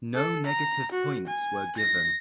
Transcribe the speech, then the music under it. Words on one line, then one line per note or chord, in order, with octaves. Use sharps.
No negative points were given.
A4
A#5
F#4
G#5
A#6